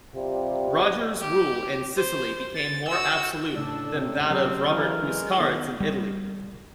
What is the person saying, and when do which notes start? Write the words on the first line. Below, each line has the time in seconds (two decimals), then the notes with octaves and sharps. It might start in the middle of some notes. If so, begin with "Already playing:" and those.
Roger's rule in Sicily became more absolute than that of Robert Guiscard's in Italy.
0.15 C3 G3 F4
1.21 G4
1.97 C5
2.55 A6
2.89 F#4 E6
3.56 A2 C#3 A3 D4 A4 D5
3.95 C3 C#4
4.31 C#3 F#3 C4 G4
4.70 C#3 E3 A#4
5.00 G#3
5.38 D#3 B3 A4
5.80 G3